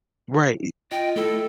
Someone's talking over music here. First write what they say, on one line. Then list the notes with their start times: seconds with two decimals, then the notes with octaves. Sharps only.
Right, y
0.91 F4 D#5 G5
1.16 A3 E4 A4